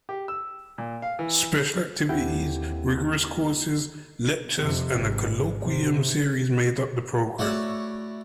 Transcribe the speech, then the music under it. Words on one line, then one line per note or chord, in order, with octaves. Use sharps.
Special activities, rigorous courses, lectures and a colloquium series made up the program.
G4
E6
A#2
F5
E3
D#2 C4 E4 G4 A4 F#5 G5
F2 C3
G#1
C3
A3 E4 F#4 C#5 D5 F#5